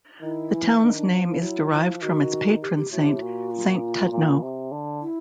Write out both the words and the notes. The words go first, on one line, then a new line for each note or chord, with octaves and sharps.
The town's name is derived from its patron saint, Saint Tudno.
D#3 E4
E3
D#3 D4
D4
F3
E4
F#3
F3
D#3 F#4
G4
G4
A2 F#4
G4
A#2 F#4
F4
F#4
F4
A#2
C3
D3
E4